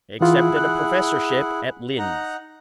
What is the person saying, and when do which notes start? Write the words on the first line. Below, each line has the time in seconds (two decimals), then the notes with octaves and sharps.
Accepted a professorship at Linz.
0.21 E3 E4 F4 G#4 F#5
0.57 F#6
1.98 D#4 F#5 A#5